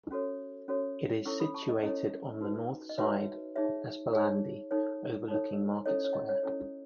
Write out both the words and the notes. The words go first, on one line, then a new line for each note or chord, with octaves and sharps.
It is situated on the north side of Esplanadi, overlooking Market Square.
C#4 F#4 A4 C#5
C#4 F#4 A4 C#5
C#4 E4 A4 C#5 C#6 E6
B5 D#6
A5 C#6
D#5
C#4 E4 A4 C#5 D#5
D#4 F#4 B4
D#5
D#4 F#4 B4 C#5 E5
D#4 G#4 C#5 E5
D#4 G#4 C#5
D#4 A4 C#5
D#4 A4 C#5
C#4 E4 A4 C#5 D#5
C#5
D#5
C#5
C#4 E4 A4 C#5